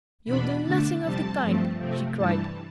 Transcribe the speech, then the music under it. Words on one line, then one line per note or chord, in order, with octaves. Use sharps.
"You'll do nothing of the kind!" she cried.
E2 B2 B3 D4 B5
D3 A3 D4 A5
F2 C3 G3 C4 A5
G2 F3 A3 C4
C3 F3 A3 C4
G2 E3 G3 A5